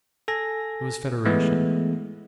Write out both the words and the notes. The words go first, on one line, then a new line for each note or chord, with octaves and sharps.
It was Federation.
A4 G#5 A#6
E3 G#3 A3 B3